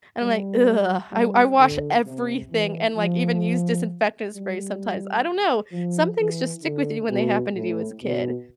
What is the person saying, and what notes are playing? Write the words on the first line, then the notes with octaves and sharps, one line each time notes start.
and I’m like, "ugh," I I wash everything and, like, even use disinfectant spray sometimes, I don't know, some things just stick with you when they happen to you as a kid.
G3
G3
D3
C3
E3
F3
G3
F3
E3
D3
B2
A2
B2